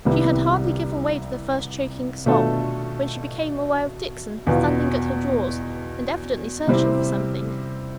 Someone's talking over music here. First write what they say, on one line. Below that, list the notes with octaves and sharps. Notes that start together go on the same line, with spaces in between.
She had hardly given way to the first choking sob, when she became aware of Dixon standing at her drawers, and evidently searching for something.
C2 C3 G3 B3 E4
B2 A3 D4 F4 A4
E2 B2 B3 F4
C3 G3 C4 E4